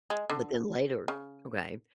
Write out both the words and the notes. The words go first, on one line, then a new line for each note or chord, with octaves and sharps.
But then later, okay,
G#3
D3
C#3